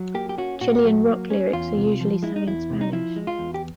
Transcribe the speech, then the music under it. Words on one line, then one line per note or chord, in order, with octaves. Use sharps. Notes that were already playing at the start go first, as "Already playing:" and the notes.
Chilean rock lyrics are usually sung in Spanish.
Already playing: F#3
A#3 G4
G4
C#4 F#4
A#2 F#4
F#3
A#3
C#4
E2 F4
C3
F3
G#3 E4
D#4
E2 E4
C3
D#4
F3 E4
G#3
F4
E2
G4